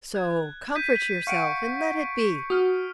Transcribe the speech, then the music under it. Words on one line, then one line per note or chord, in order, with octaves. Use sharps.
So comfort yourself, and let it be!
F#6 G#6
G6 B6 D#7
F5 F#5 C#6 C#7 D7
F#4 D#6 F6